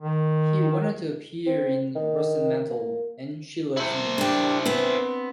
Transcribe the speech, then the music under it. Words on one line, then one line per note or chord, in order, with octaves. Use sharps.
He went on to appear in "Russet Mantle" and "She Loves Me".
D#3
C4
D#3
A#3
E4 C5
D4 G4
B3 C4